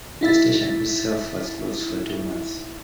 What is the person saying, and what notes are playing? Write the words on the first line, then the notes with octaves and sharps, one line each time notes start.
The station itself was closed for two months.
D#4 E4 E5 A6